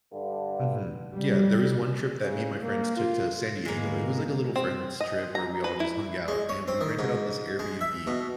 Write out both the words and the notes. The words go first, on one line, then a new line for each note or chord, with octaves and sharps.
Mhm. Yeah. There is one trip that me and my friends took to San Diego. It was like a little friend's trip where we all just hung out, and we rented out this Airbnb.
G2 D3
G3
C#3
A#3
F4
G#2 D3 G#3 A#3 B3
C4
D#5
A#5
B4
E4
G#3
C#5
C4
D#3
G#2
G#3
E5
B2